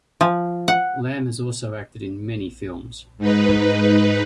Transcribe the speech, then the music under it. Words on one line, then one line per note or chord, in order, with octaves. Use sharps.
Lam has also acted in many films.
F3
F#5
G#2 D#4 B4